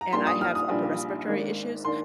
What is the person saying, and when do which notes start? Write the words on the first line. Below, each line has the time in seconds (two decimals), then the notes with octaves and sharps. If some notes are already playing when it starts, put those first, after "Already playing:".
and I have upper respiratory issues,
0.01 A#5
0.13 A#1 A#2 G3 D4 F4 C6
0.27 D#6
0.41 F6
0.55 D#6
0.70 A#1 A#2 G3 D4 F4
1.27 G#1 G#2 D#3 A#3 D4
1.85 D#3 A#3 D4 C6